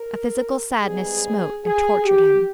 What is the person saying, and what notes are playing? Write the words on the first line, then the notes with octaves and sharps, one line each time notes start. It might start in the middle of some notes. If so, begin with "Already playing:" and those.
A physical sadness smote and tortured him.
Already playing: A#4
G#2 G3 B3 G#4
G#4
G4